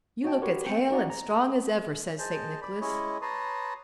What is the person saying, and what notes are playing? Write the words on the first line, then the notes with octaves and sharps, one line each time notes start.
"You look as hale and strong as ever," says St. Nicholas.
F#4 C#5 D#5 G5 A5
F#4 G4 A#4 B4 C#5 C#6
B3 C4 G5 C#7
D#4 F#4 D5 F#5 A#5
A#5
G#4 C5 D#5 A5
D5 B5
G#3 C#4 E4 C#5 D#5
B4 C#5 A5 A#5 C6 D#6